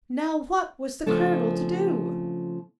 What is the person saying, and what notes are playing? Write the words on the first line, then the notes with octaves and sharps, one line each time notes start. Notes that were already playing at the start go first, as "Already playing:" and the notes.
Now what was the colonel to do?
C#3 F3 A3 C4 D4 A4